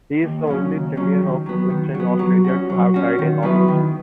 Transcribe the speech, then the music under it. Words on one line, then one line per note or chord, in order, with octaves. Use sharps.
He is the only Premier of Western Australia to have died in office.
D#2
C#3 F#3 C#4
D#2
C#3 F#3 C#4
D#3
F#3 B3
D#3
F#3
B3
F#3
C#4 F#4
F#3
C#4 F#4
D#3
F#3 B3 E4 B4
D#3